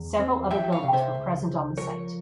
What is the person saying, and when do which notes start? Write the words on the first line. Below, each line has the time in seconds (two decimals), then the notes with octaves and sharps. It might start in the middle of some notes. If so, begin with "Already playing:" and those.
Several other buildings were present on the site.
Already playing: E2
0.19 C4
0.51 F3 E5 G5
0.72 C#5 F5
0.83 C3
0.93 C5 E5
1.15 C#2
1.46 C#2
1.77 F3 A#4 C#5